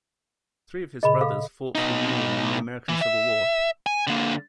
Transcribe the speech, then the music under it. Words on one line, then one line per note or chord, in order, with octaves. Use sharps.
Three of his brothers fought for the Union in the American Civil War.
A#2 C#3 G#4 D#5 B5
A4 F5 D6
B2 D#4
E3
E5
G#5
D3 A#3